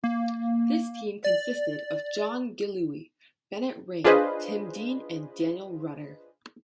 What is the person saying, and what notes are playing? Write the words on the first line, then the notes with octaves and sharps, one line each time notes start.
This team consisted of John Gillooly, Bennett Ring, Tim Dean and Daniel Rutter.
A#3
D5
D4 F4 G#4 B4 C5 D#5